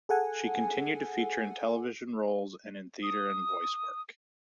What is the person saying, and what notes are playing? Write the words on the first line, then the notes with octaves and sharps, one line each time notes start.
She continued to feature in television roles and in theatre and voice work.
G#4 A4 F#5 G#5
D#6